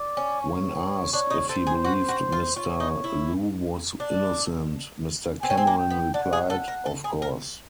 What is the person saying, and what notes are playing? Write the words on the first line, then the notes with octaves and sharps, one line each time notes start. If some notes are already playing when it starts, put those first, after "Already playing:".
When asked if he believed Mr Lew was innocent, Mr Cameron replied: of course.
Already playing: D5
C#4
C#5
D4 C#5
D#4
A4 C5
G#4
F#4
F#4
F4
F4 C#5
D#4
E4
D4
C4 G#5
C#4
C4
A#3
G5
B3
D4 F#5
G#4
A4 F#5
A#4
A4
G#4
A#4